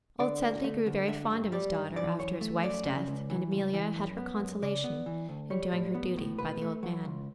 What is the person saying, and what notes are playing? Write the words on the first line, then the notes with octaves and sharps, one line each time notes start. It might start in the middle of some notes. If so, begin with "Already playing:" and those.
Old Sedley grew very fond of his daughter after his wife's death, and Amelia had her consolation in doing her duty by the old man.
D3 D5
D2
A3
D2
D3 E5
G2
G3 D5
G2
E3 D5
F#2 C#5
A3
F#2 D5
C#3
C#2
E3
C#2
E3
F#2
B3
F#2
C#3 D5
B3
E3
D2
G3 C#5
A2
B3
A2
B2 B4
A3
F#3
C#2